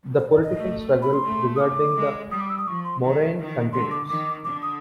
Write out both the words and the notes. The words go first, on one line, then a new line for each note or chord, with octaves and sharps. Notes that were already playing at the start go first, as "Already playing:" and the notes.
The political struggle regarding the moraine continues.
C5
D5
D#5
A3
B5
C6
A3
D#6
D6
G#3
G3 D#6
D6
E6
D#6
F3 C#6
C6
D#3
D#3
D3 C6
D6
D#3 D6
D3 D6
D#6